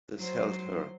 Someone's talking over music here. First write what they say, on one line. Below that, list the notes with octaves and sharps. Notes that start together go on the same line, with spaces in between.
This held her.
F#3 C5